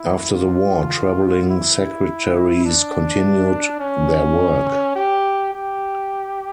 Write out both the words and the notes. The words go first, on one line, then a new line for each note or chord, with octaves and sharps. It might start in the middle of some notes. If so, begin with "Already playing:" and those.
After the war, travelling secretaries continued their work.
Already playing: E4
F4
E4
D4
C#4
G4
G4